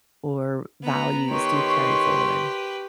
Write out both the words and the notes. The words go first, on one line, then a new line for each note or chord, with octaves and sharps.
or values do you carry forward?
B3 A#5
D#3 G4 B4 C#5 C6 C#6